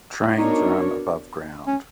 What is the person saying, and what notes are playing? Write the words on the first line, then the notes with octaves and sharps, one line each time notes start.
Trains run above ground.
B3 D4 D#4 F#4 A#4 C#5
C#4